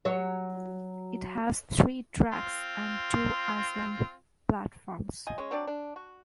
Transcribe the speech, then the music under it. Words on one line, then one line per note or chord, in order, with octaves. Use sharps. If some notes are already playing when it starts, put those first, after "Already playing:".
It has three tracks and two island platforms.
F#3 C#5
C4 F4
F3 D#5 G#5
G#3 C#4
F#3 C4 D4 D5
D4
F#4